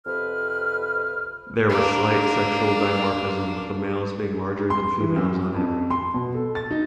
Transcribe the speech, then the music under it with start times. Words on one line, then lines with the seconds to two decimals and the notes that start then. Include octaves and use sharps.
There was slight sexual dimorphism with the males being larger than females on average.
0.06 F2 C3 B4 F6
1.70 A#3 D4
4.70 C6
5.00 E3
5.16 F#2
5.36 F#2
5.55 F2
5.91 C6
6.14 B2
6.34 A4
6.55 A6
6.71 D#4